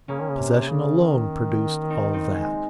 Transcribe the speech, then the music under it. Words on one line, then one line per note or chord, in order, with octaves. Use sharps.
Possession alone produced all that.
C#3 A#3 C#4
D#3
C#3
C3
C#3
D#3
C4 D#4
C4 D#4
G#3